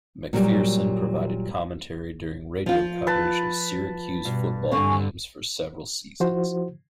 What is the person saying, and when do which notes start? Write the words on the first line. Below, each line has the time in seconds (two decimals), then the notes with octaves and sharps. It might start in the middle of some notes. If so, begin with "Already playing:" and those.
MacPherson provided commentary during radio coverage of Syracuse football games for several seasons.
0.33 A#2 F#3 G3
2.66 F3 F4
3.07 B4 A5
4.25 G2 B2
4.72 G2 D3 C4 G#5 C#6
6.20 F3 E4 F#4 C5